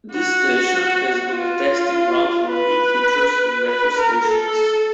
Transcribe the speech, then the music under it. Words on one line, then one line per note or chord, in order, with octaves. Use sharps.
This station has been a testing ground for new features in Metro stations.
F#4
F4
B4
B4
A#4
A4